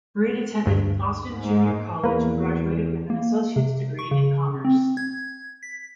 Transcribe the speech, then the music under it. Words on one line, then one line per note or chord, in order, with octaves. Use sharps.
Brede attended Austin Junior College and graduated with an Associates degree in commerce.
D2 G2
G#2
E2 A#3 B4
A#3
C3
C#6
C#3
C4
G#6
B6